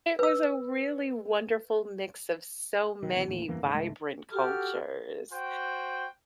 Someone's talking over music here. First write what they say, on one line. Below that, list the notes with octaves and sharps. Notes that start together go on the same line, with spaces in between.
was a really wonderful mix of so many vibrant cultures.
B4 E6
B1 D#3
C2 E3 B3
A1 D#2 A2
E2 G2 E3 A#3
G#1 D#2 G#2 D3
C#2 G#2 G#3 A3
F#4 G4 A4 F6
F#4 C5 G5